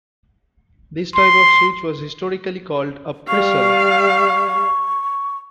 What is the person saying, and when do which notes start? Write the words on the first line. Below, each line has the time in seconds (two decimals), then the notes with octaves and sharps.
This type of switch was historically called a "pressel".
1.15 C6
3.28 G3 F5 C#6